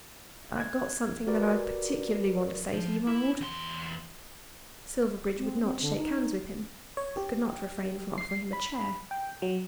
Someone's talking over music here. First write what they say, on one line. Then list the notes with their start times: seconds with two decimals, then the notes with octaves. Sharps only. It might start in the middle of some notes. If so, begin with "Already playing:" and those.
"I've got something that I particularly want to say to you, my Lord." Silverbridge would not shake hands with him, but could not refrain from offering him a chair.
0.56 F#6 G#6
1.27 F#4 G4 A#4 B4 D5
2.73 F3
3.07 E4
3.41 E2 C6
5.39 C4
5.63 C4
5.81 D3
5.96 D#4
6.97 C#5
7.17 G4
8.18 C7
8.53 B5
9.11 G5
9.42 F#3